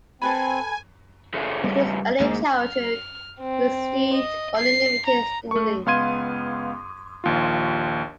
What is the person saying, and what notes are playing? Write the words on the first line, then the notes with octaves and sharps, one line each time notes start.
In his early childhood, he received only limited schooling.
C4 A4 B4 G#5 B5
C#3 A3
G3
D2 G#2 A#3
F6
C4
D#5
C7
A#5
A3 C#6
C#2 B3 F5 C6 G#6 D#7
A#1 D#2 F4